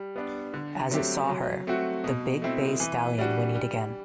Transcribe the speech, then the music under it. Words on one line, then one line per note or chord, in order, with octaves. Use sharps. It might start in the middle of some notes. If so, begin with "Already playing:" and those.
As it saw her, the big bay stallion whinneyed again.
Already playing: G3
B3 D4
D3
F#3 A3 C4 G4
F#3
A3 C4 F#4
B2
A3 C4 E4
E3
G3 D4 F#4
G3